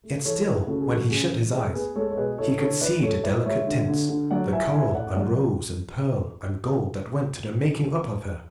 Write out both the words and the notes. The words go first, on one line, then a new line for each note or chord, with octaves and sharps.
Yet still, when he shut his eyes, he could see the delicate tints, the coral, and rose, and pearl, and gold that went to the making up of her.
A3
E3 A4 C#5
E4 G#4 B4
C#3 F#4 A4
G#4
E3 F#4 A4
C#3 G#4
E3
A3 G#4
B3 G#4 B4
G#3 A4 C#5
C#5
B2 G#4 B4
E4 A4 C#5
D3 A4 C#5
E4 B4 D5
A3 A4 C#5
E4 B4 D5
G#3 C#5 E5
D3
D3
D3
F#3 D5 F#5
E4 E5 G#5
E4 E5 G#5
A2 D5 F#5
F#3 D5 F#5